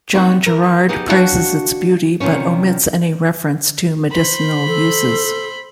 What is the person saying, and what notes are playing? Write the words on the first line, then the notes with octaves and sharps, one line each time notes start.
John Gerard praises its beauty but omits any reference to medicinal uses.
G3 A#3 C4 D#4 F#4 G4
A#4
B3 D#4 G4 G#4
D4 E4 F#4 C#5 F5 G5
C3 D#3 F3 G3 C#4
C5 B5
A4